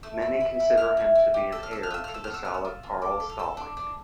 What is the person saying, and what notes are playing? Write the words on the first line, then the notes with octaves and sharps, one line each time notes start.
Many consider him to be an heir to the style of Carl Stalling.
A3 E6
E4
E4
E4
E4 F6
E4
E4
G4
A4 E6
F6
A4 E6
F6
F4 E6
A4 F6
E6
B3 F6
E6
B3 F6
E6
F4
F4
A4 D6
A4
F6
A4 E6
D4
D4